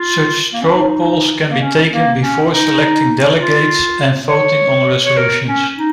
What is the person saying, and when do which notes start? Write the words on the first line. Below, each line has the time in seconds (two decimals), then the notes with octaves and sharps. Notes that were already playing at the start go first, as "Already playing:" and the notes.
Such straw polls can be taken before selecting delegates and voting on resolutions.
Already playing: F4
0.53 A#3
0.61 C#4
0.71 D#4
1.50 A#3
1.60 C#4
1.90 A#3
2.19 C#4
2.49 D#4
3.38 F4
4.27 C#5
5.05 C#5
5.17 A#4
5.46 C#4
5.76 D#4